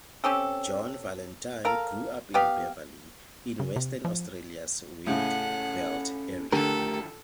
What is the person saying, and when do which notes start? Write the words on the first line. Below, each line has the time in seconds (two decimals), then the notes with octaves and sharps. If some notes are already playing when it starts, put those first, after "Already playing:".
Jo Vallentine grew up in Beverley, in Western Australia's Wheatbelt area.
0.24 C4 C#4 G4 A4
1.65 A4 A#4 F5
2.34 B3 G4 F5
3.60 C#3
3.76 C3
4.05 F3
5.07 A2 C#3 C#4 A4 F#5
6.53 D3 D#3 F3 A3 G4 A4 A#4